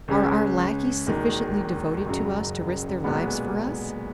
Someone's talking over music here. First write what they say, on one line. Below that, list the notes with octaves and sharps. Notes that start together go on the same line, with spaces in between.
Are our lackeys sufficiently devoted to us to risk their lives for us?
C#2 C#3 G#3 C#4
E1 D#2 D#3 G#3
F#1 F#2 C#3 F#3
B1 A#2 G#3 B3